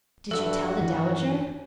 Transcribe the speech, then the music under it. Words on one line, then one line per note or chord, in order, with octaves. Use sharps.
"Did you tell the Dowager?"
G2 F#4 A4 E5 E6
F1 G2 D#3 E3